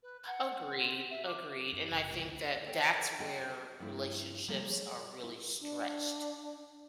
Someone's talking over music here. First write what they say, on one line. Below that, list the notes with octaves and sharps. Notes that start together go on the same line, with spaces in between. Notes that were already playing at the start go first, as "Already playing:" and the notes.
Agreed, agreed. And I think that that's where relationships are really stretched
B4
F#5
C6
E5
D6
F#2
F#1
C2
D2
A4 B4 C#5 G5
F#4 G#4 D#5 G5
G2 F3 A#3 E4
C3 F3 G3 A3 A#3
G#4 C#5
E4
D4